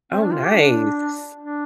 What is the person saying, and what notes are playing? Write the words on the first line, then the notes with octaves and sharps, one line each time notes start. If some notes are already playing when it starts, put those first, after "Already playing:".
Oh, nice.
C4
D4
F4
G4
D4
D4